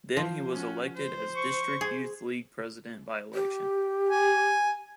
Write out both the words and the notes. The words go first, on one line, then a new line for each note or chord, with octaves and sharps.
Then he was elected as district youth league president by election.
F3 C5
C#4 F#4
C5
C#6
G#4
G4
G#5